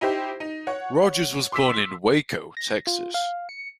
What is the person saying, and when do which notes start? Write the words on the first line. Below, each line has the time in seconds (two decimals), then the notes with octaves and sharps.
Rogers was born in Waco, Texas.
0.01 D#4 E4 G4 C5
0.40 D#4
0.67 C#5 F#5
1.52 C6 D6 E6 B6 E7
2.57 A#6
2.87 F4
3.14 F5
3.49 C#7